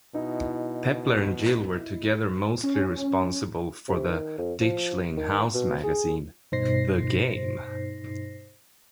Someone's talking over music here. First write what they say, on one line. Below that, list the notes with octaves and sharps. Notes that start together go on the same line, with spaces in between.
Pepler and Gill were together mostly responsible for the Ditchling house magazine, "The Game".
B2 D#4 E4
C#4
C3
D#3
F2
F3
D#3
B2
G#4
G2 B2 D#4 C5 A#6 C7